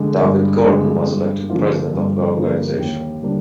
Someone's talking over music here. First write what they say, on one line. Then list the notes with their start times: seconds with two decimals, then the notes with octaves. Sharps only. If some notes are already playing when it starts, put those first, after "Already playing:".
David Gordon was elected president of the organisation.
Already playing: D3 G#3
0.22 G2
0.64 D3 G#3
1.07 G2
1.50 D3 F3 A#3 F4
1.94 G2
2.35 D3 F3 A#3 F4
2.78 D#2
3.22 D3 G3 A#3 D4